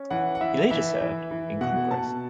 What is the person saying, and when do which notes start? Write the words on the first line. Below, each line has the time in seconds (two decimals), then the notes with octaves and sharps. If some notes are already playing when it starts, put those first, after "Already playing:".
He later served in Congress.
Already playing: C#4
0.10 E3 F#5
0.35 F#5
0.41 E3 E5
0.71 E3 E5
1.01 E3
1.31 E3
1.61 B2 F#5
1.91 B2 A5